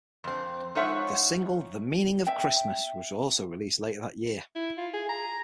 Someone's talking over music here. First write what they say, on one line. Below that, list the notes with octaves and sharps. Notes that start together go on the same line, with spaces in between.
The single "The Meaning of Christmas" was also released later that year.
F2 C4
G#3 D#4 F4 C#5 E5 F#5
E5 G5
E4
F4
G#4
A#5